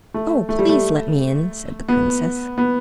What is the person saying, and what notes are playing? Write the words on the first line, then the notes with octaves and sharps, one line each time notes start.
"Oh, please, let me in!" said the princess.
A3
A3
G3
A3
B3
B3